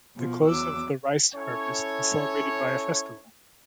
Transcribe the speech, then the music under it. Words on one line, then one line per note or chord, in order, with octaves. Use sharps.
The close of the rice-harvest is celebrated by a festival.
B2 F3
E2 F#3 D6 E6
C#4 E4 A4 C#5